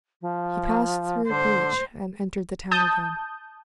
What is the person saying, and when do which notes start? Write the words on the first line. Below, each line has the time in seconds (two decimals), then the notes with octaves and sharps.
He passed through a breach and entered the town again.
0.21 F3
1.29 D3 C5
2.71 A5 D#6 G6